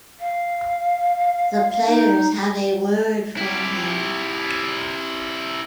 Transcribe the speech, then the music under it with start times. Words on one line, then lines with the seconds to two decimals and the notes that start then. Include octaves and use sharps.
The players have a word for him.
0.20 F5
1.86 D#4
3.37 E4 G4